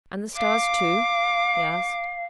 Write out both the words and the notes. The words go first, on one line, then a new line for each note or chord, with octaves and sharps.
"And the stars, too?" he asked.
F5 D6